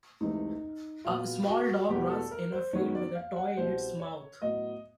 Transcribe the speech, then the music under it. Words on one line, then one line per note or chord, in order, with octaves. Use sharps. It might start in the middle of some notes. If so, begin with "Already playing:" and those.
A small dog runs in a field, with a toy in its mouth.
C#2 C3 E3 A3 D#4
A#2 F#3 B3 F4
F#4
E2 B2 G3 B3 G4
A4
A#4
C5
F#2 D#3 F#3 B3 C#5
D5
F5
F#5
C2 B2 G3 C5
C#5
A2 F#3 B3 D#5